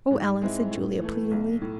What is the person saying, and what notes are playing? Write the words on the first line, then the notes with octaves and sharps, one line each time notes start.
"O Ellen!" said Julia pleadingly.
G#2
G#3 C4 E4
A2
E3 A3
B1
A2